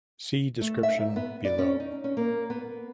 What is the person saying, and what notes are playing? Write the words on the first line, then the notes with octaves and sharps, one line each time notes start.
See description below.
A3
E5
G#2
B3
D5
C#4
D#4
C#4
A#3
B3